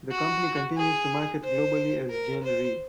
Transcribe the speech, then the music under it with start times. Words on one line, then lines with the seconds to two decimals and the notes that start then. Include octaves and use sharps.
The company continues to market globally as Gen Re.
0.11 F#4
0.77 G#4
1.44 C5
2.10 A#4
2.43 C5